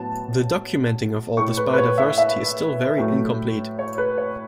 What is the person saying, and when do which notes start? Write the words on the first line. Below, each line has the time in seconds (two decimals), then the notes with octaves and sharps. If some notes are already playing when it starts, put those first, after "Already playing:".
The documenting of all this biodiversity is still very incomplete.
Already playing: A2 F#3 B3 A5
1.37 A2 A3 C#6
1.57 B4
1.73 B4
1.78 C#5
1.98 E5
2.18 E5
2.98 A2 F#3 A3
3.79 C#5
3.98 B4
4.18 C#5